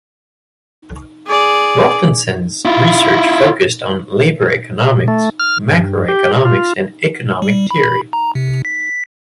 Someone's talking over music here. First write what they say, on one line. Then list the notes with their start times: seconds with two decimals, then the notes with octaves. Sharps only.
Mortensen's research focused on labor economics, macroeconomics and economic theory.
1.28 G#4 D5
2.65 E4 F4
5.08 A3
5.40 F6
5.68 G2
6.08 G4
6.45 F4
7.42 G3
7.71 B5
8.13 A#5
8.35 C3
8.65 B6